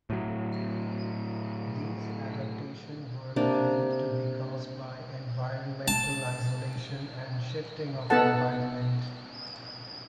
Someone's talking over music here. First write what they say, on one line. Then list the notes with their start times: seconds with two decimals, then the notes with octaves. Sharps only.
These adaptation were believed to be caused by environmental isolation and shifting of environment.
0.10 A2 F#3
3.36 C3 A#3 D4
5.88 A5
8.10 B3 D#4 A4 F#5 A5